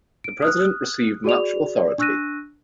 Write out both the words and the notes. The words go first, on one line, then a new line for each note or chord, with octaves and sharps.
The president received much authority.
D7
D#6 F6 F#6
F#4 G#4 D5 F7
D5
D4 C#6 E6 F#6 A#6 D#7